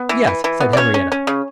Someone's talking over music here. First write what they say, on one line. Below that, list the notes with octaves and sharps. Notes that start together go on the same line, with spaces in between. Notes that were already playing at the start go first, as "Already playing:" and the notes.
"Yes," said Henriette.
Already playing: B3
E3
E3
E3
B3
D5
C#4 C#5
C#4
C#4
C#3